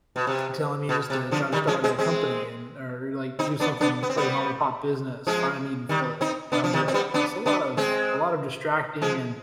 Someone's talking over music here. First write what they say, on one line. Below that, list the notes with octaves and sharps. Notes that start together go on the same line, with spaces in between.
telling me just to, "Try to start a company and or, like, do something, like, a mom-and-pop business, find a need and fill it." And I'm like, "That's a lot of a lot of distracting and
B2
C3
B2
C3
D3 F3
D#3 G3
F3 G#3
G#3 C4
G#3 C4
C4 D#4
B3 D4
B3 D4
B3
C4
G3 B3
F3 G#3
D#3 G3
C4 D#4
B3 D4
F3
C3 D#3
C4
G3 B3
B3 D4
B3 D4
G#3 C4
F3 G#3